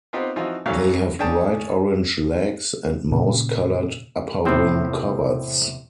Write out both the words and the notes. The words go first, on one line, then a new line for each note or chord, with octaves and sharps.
They have bright orange legs and mouse-coloured upper wing-coverts.
B3 C4 D#4 F4 G4 C5
E3 F3 C4 D#4 F4 F#4
F2 A#2 F#3 C#5 E5 F5
C#4 D4 G#4 G5 A5
A#2 C#3
E2 A2 C3 C4 C5